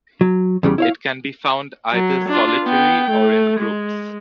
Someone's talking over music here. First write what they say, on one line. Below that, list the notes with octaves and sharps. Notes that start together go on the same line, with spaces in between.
It can be found either solitary or in groups.
F#3
E2 C#3 G3
E4 C#5 F5
F#3
D4 F4
B3 G5
A3
G#3